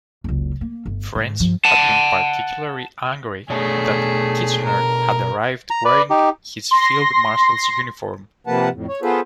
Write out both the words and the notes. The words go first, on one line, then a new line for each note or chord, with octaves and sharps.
French had been particularly angry that Kitchener had arrived wearing his Field Marshal's uniform.
F#1 C#2
A#3
G1
G#2
G2 F3
F#5 A5
B2 A3 D4 G#4 C#5
A#4
A#5
B4 D5
D#4 G4
C6 A#6
C3 F3 A#3 B4 F#5 A5
F2 A2
C#5
B3 F4 G#4 A4 B4 C5